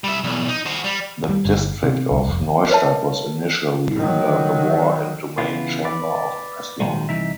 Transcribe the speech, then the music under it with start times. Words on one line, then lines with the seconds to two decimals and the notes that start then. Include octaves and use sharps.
The district of Neustadt was initially under the War and Domain Chamber of Breslau.
0.04 G3 E5
0.24 B1 E2
0.48 D#4
0.66 F#4 C5
0.84 G3
1.29 G3
1.45 G1
1.83 C3
2.12 C2
2.28 F1
2.70 A#4 B4 C#5 E5 A5
3.96 D#3 F#3
5.38 C#3 E3 F3 B3 E4 F4
5.84 B4 D5
6.80 A#2 D#3 F#3 G#3
7.09 C2 E3 D#4 E5